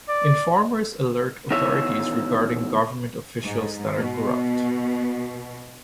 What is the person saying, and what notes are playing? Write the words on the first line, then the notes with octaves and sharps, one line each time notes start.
Informers alert authorities regarding government officials that are corrupt.
D5
B2 D#3 E3 C#5 E5
G#2
B2